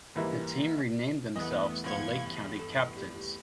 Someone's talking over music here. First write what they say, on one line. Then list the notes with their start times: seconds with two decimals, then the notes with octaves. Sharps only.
The team renamed themselves the Lake County Captains.
0.16 G#2 E3 G3 A#3 E4
1.36 E2 G3 A3 B3 D#5
1.84 G1 F2 A2 G3 B3 F4 G#6 C#7
2.26 G2 C#3
2.59 A4
2.97 G3